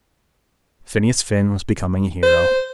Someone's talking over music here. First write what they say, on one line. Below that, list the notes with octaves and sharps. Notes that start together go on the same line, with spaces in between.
Phineas Finn was becoming a hero.
C5